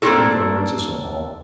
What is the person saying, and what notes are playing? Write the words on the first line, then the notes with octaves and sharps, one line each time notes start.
He governs us all.
A#3 C4 D4 F4 F#4 A4